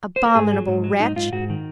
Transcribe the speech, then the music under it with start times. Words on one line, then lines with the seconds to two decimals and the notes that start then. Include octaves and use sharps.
Abominable wretch!
0.16 C5
0.26 A#4
0.35 G#2 G#4
0.53 F#3
0.68 G#2
0.84 F#3
1.00 G#2 D#4
1.16 G#2 F4
1.32 G#2 F#4
1.50 D#3